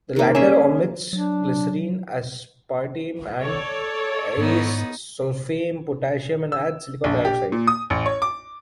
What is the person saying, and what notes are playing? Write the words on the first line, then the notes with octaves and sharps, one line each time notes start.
The latter omits glycerin, aspartame, and acesulfame potassium, and adds silicon dioxide.
D#3 A#3
C#4 G#4 A#4 E5
F#3 D4
A4 C#5 D5
G#2 B3 D#4
E6
A#1
G4
A#2
D#6
A1
C#5
D6